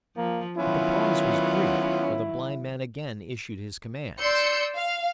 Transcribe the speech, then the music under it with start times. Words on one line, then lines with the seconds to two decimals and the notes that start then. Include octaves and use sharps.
But the pause was brief, for the blind man again issued his commands.
0.17 F3 A#3
0.57 D#3 F#3 B3 C#4 E4 F4
4.20 D5 C6 E6 G6 C#7
4.77 F5